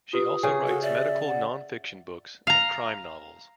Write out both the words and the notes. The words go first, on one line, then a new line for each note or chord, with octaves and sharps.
She also writes medical nonfiction books and crime novels.
F4 G4 B4 D#6
C#3 G#4
F#4 A4
D5 E5
F#5
F5 A#5